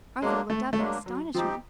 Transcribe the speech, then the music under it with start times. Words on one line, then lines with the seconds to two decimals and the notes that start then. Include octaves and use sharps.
Arthur looked up in astonishment.
0.21 F#3 G#3 A#3 D4
0.50 A3
0.73 A3
0.78 F#3 G#3 A#3 D4
1.06 F#3
1.34 F3 C4 D#4 G4